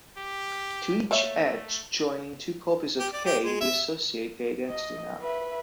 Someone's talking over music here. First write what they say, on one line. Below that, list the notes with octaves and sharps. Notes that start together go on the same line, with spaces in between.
To each edge joining two copies of "K" we associate the identity map.
G4
A3 A#3 C#5 E5
G4
D5
G4
G#3
E5
D#5
B4 E5